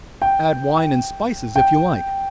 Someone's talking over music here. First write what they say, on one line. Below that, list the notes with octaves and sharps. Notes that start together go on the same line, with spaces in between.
Add wine and spices if you like.
G5
G5